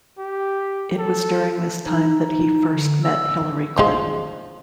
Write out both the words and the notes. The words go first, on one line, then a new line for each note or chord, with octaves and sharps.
It was during this time that he first met Hillary Clinton.
G4
A4
D#4
D#4
D3
E6
F3 G#3